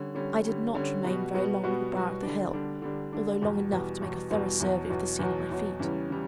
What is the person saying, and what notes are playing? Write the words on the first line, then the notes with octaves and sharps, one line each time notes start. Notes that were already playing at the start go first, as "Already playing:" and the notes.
I did not remain very long on the brow of the hill, although long enough to make a thorough survey of the scene at my feet.
Already playing: D3 G3 C#4
D3 G3 C#4
D3 G3 C#4
D3 G3 C#4
B2 G3 B3 F#4
B2 G3 B3 F#4
B2 G3 B3 F#4
B2 G3 B3 F#4
D3 G3 D4
D3 G3 D4
D3 G3 D4
D3 G3 D4
E2 B2 G3
E2 B2 G3
E2 B2 G3
E2 B2 G3
E2 B2 F#3
E2 B2 F#3
E2 B2 F#3
E2 B2 F#3
E2 C#3 E3 G3 C#4
C#3 E3 G3